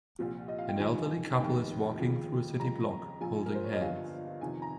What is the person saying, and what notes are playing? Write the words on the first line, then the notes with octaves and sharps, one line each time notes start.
An elderly couple is walking through a city block, holding hands.
C2 A#2 F3
D#5
F5
G5
F2 D#3 G3 G#5
F1 D#2 D#3 G5
D#2 C#3 F3
F2 C#3 G3 A#5
A#1 A#2 F3 G#5
A#4
C5
C#5
D#5
G1 G2 F3 F5
F2 C3 D#3 G#5
A#5